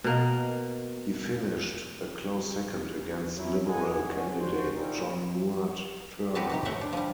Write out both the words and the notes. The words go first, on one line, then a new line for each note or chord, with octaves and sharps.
He finished a close second against Liberal candidate John Mouat Turner.
B2 A#3
F3 F#3 C#4 E4
G#4 A4 D#5 F#5 G#5
F3 A3 C#4 D4 F#4
D3 F#4 C5
A#2 D#3 E3
C4 F#4 G4 B4 A5
C3 D#4 G4
A2 E3 A3 E5 F#5
D4
F3 G3